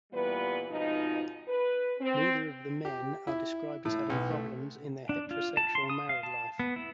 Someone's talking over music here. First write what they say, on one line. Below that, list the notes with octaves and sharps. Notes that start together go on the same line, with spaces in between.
Neither of the men are described as having problems in their heterosexual married life.
A#2 E3 G3 B3 B4
F2 G#2 B2 F3 D#4
B4
C4
G4
E4
A2
B1
A3
D4
F4
A5
C6
D#6
F5
A5
B3
E4